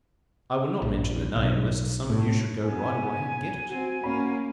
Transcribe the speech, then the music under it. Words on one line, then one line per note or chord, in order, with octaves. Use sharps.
I will not mention the name, lest some of you should go right away and get it.
A#1
B1
A2
B3 G#5
C4 F#4
A#3 C#4 B5